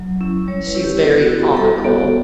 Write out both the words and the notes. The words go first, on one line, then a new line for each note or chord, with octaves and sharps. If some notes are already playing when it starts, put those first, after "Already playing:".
She's very comical,
Already playing: F#3
C#4 E4
G3 C#5
B4
C#4 E4
G4
B3 A4
F#4
E4
G4
G3 A4
B3 F#4